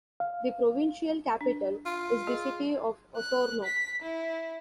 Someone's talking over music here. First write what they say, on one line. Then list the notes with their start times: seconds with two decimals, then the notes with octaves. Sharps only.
The provincial capital is the city of Osorno.
0.20 F5
1.41 D4
1.86 F4
2.27 G#4 D#5
3.17 F#6
3.65 B6
4.02 E4